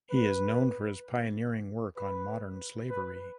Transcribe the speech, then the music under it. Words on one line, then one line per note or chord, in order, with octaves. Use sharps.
He is known for his pioneering work on modern slavery.
B4
B4
B4